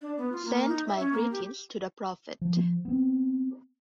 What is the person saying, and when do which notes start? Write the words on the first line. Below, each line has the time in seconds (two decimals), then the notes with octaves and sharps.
Send my greetings to the Prophet.
0.02 D4
0.18 B3
0.32 F4
0.45 A#3
0.57 A#3
0.69 D#4
0.87 E5
0.99 C#4
1.13 A#3
1.32 G4
2.41 F3
2.85 B3 C4